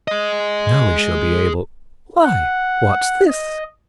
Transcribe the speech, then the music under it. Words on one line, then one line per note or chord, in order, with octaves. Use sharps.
"Now we shall be able--Why, what's this?"
G#4 D#5
F#5
D#5